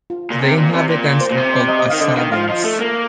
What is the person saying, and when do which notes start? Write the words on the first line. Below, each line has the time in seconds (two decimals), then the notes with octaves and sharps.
The inhabitants are called "Assadins".
0.10 F4
0.30 A#2
0.42 C3
0.57 A#2
0.73 C3 D5
0.89 A#2
1.21 C5
1.31 A#2
1.37 C3 C5
1.53 D5
1.68 D#5
1.79 D#5
1.90 F5
1.93 D#3
2.00 D3 D#5
2.17 D#3 F5
2.32 F3 F5
2.43 F5
2.49 F3 D#5
2.64 A3
2.80 A#3